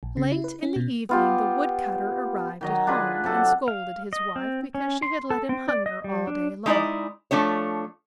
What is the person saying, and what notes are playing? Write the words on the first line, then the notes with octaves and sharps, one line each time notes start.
Late in the evening the Woodcutter arrived at home, and scolded his Wife because she had let him hunger all day long.
A#1
C#3
E4
B4
C#4
B2
B3 F4 G4
D#3 F#3 D#5
D4 F4 G#4 B4
C3 F#3 A4 F#5
F5
D#5
C4
C#4
C6
A4
C4
D5
D#5
G3
D4
G#3 D#4 E4 D5
F3 A3 D4 C#5